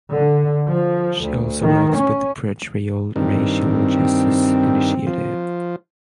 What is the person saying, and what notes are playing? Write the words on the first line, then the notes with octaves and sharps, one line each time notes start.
She also works with the Pretrial Racial Justice Initiative.
D3
F3
D2
D#3
C#4
G2 D#3 C4
F3